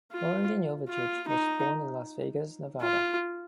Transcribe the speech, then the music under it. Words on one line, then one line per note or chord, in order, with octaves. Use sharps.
Loren Dean Jovicic was born in Las Vegas, Nevada.
F4
F4
D#4
F4